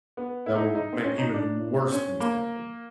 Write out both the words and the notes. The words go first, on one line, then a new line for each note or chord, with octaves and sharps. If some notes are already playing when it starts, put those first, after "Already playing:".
that will make even worse things happen
B3
E4
D#4
E4
D#4
C4
C#4
D#4
D4
C4
C#4
A#3